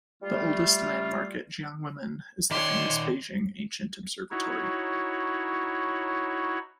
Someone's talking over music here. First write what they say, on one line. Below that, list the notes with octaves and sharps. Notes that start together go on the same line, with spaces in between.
The oldest landmark at Jianguomen is the famous Beijing Ancient Observatory.
G3 A3 F4
D#3 C#5 D5 C6
D#4 E4 F#4 C#5